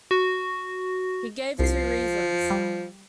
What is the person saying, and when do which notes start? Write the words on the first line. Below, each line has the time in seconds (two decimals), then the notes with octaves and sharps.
He gave two reasons.
0.11 F#4
1.59 C2 F3 C7
2.50 G3